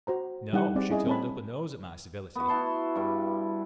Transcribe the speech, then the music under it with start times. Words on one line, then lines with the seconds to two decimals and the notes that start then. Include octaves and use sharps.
No, she turned up her nose at my civility.
0.07 F#4 C5 A#5
0.53 G3 D#4 E4 F#5 G5
0.75 C4 G#4 D5
0.89 C#4 E4 G#4 D#5
1.07 C4 C#5 A5 B5
2.35 B3 F#4
2.48 E4 A5 C6
2.95 G2 G3